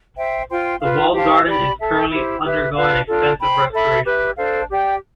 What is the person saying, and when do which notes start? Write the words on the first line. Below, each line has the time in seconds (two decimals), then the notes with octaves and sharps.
The Walled Garden is currently undergoing extensive restoration work.
0.17 C5 E5 G5
0.49 F4 C5 G5 C6
0.81 F4 B4 F5
1.13 G4 C5 F5 A5
1.46 G4 D5 G5 B5
1.79 A4 E5 A5
2.10 E4 G4 C5
2.42 G4 B4 E5
2.75 D4 F4 B4 F5
3.07 D4 F4 A4
3.40 C5 G5 B5
3.72 A4 E5 B5
4.05 G4 B4 E5
4.36 D4 A4 C5 F5
4.69 G4 D5 G5